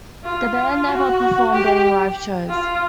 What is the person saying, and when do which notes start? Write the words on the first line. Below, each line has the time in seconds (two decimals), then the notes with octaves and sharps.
The band never performed any live shows.
0.24 F4
0.55 F4
0.88 F#4
1.53 G4
2.49 F4